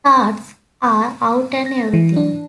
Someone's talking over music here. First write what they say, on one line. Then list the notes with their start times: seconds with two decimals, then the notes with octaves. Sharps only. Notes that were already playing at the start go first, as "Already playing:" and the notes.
Stars are out and everything.
1.66 A#6
1.94 E3
2.16 D4